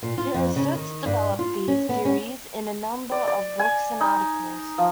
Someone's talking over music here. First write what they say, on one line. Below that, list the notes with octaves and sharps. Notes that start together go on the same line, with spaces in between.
He has since developed these theories in a number of books and articles.
A#2
F4
F2
C#3
D#3
G2
F4
C#4
B3
C#4
D5
D5
G#5
D#4
F3